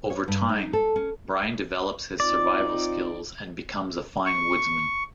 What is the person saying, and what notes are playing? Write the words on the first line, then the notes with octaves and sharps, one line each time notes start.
Over time, Brian develops his survival skills and becomes a fine woodsman.
C#5
G2
D#4
A4
C#4
C4 D#4 F4 D5
C#6